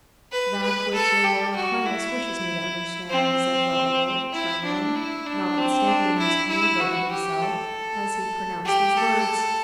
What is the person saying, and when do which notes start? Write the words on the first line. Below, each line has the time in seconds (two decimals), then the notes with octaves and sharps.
"That which your royal highness wishes me to understand," said Raoul, trembling, notwithstanding his command over himself, as he pronounced these words.
0.32 B4
0.62 B4
0.94 A4
1.24 G4
1.56 F#4
1.86 E4
3.10 C4
4.33 E4
4.64 D4
4.95 E4
5.26 D4
5.58 C4
5.87 D4
6.19 E4
6.49 E4
6.80 F#4
7.11 G4
7.42 A4
8.66 G4
8.97 A4